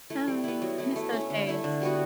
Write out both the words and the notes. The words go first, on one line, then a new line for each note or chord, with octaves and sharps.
Um, miss those days.
A3 E4
G3
B3 E4
F#3
A3 E4
A3
C#4 E4
D3
A3 E4
D3
G3 B3 F#4